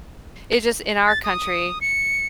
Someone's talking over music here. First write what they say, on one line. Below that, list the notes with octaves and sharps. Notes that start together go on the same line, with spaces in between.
it's just in our country,
A6
D#6
C#7